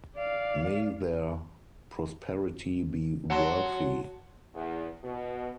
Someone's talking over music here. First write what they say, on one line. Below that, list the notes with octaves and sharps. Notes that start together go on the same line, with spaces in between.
May their prosperity be worthy.
D5 F5
F#3 F#5 A5 C6
E2
B2